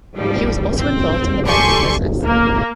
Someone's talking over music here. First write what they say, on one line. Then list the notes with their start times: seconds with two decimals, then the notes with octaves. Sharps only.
He was also involved in the banking business.
0.15 G#2 F3 G3
0.76 C4
1.46 G4 A4 D5 G#5 C6 C#6
2.23 A#3